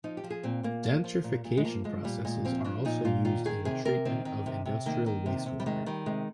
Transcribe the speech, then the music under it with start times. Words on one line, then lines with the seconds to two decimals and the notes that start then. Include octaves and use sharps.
Denitrification processes are also used in the treatment of industrial wastewater.
0.04 F3 D#4
0.17 G4
0.24 F3
0.30 G#4
0.43 A#2 C4
0.63 A#2 A#3
0.84 F3
1.04 F3
1.24 A#2
1.44 A#2
1.57 G#3
1.64 F3 A#3
1.84 F3 G#3
2.04 A#2 G3
2.25 A#2 G#3
2.45 F3 C4
2.64 F3 D4
2.85 A#2 D#4
3.05 A#2 F4
3.25 D#3 F4
3.45 D#3 G#4
3.65 C3 G#4
3.85 C3 A#4
4.05 D#3 C4
4.25 D#3
4.46 C3
4.65 C3
4.86 D#3 A#3
5.06 D#3
5.26 C3
5.46 C3
5.60 G3
5.66 D#3 G#3
5.86 D#3 G3
6.06 C3 G#3